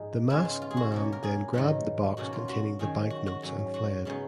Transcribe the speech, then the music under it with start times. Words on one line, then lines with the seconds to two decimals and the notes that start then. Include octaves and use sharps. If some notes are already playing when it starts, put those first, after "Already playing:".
The masked man then grabbed the box containing the bank notes and fled.
Already playing: G#2 F3 G#3 D#4
0.30 C#3 G#3 B3 G#4
0.45 F4
0.62 F4
0.71 G#4
0.77 F#4
0.92 B2 A#3 C#4
1.12 A#4
1.23 G#4
1.53 G#2 D#3 F#3 B3 D#4
2.17 B2 A#3 C#4 F#4
2.33 F4
2.48 F#4
2.79 D#3 F#3 C#4 G#4
3.10 F#4
3.27 F#4
3.42 G#2 F#3 C#4
3.74 F#4
4.05 C#3 G#3 B3 D#4